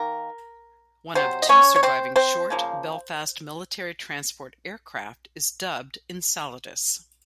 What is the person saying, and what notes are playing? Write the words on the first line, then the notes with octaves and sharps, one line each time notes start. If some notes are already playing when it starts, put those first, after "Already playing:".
One of two surviving Short Belfast military transport aircraft is dubbed "Enceladus".
Already playing: D#3 A#3 A#4
C3 F#3 C5
D#5
C#4 C#5
C#5
C4 C5
C4 C5
C#3 F3 A#3